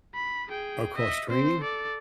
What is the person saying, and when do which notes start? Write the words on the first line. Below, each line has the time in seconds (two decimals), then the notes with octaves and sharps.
Oh, cross-training?
0.14 B5
0.48 G#4 G5
0.96 D#5 E5
1.29 C4 C5
1.60 A4 D5